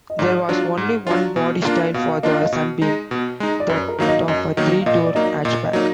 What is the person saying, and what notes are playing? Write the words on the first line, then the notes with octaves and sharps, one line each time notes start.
There was only one body style for the Sunbeam, that of a three-door hatchback.
D#5
G#2 D5
F#3 D4 F4
G#2
F#3 D4 F4
B2
A#3 D4 F4
B2 F5
A#3 D4 F4 D#5
F5
D#5
B2
G#3 D#4
B2
G#3 D#4
D5
F#2 B4
A#4
D#3 F#3 A#3 D#4 F5
D#5
F#2 D#5
D#3 F#3 A#3 D#4 D#5
F5
A#2 D#5
D5
F#3 A#3 D#4 D#5
A#2 D#5
D#5
F#3 A#3 D#4 D5